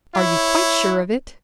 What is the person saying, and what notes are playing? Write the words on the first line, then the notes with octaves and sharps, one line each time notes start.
"Are you quite sure of it?"
E4 C#5